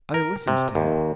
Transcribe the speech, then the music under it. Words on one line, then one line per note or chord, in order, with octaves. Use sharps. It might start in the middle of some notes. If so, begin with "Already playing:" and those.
I listened to him.
A#4
C3
D#2